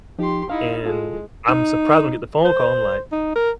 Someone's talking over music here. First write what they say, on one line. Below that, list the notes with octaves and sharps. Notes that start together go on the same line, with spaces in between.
and I'm surprised when I get the phone call, I'm like,
F3 D#4 G4 C6
D#4 E4 F5
G#3 F4 A4
D#4
C5
D#4
A#4